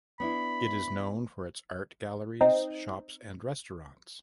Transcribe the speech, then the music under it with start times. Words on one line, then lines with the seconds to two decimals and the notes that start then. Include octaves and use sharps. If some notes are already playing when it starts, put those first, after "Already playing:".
It is known for its art galleries, shops and restaurants.
0.20 B3 D4 E4 B5
2.41 C4 D#4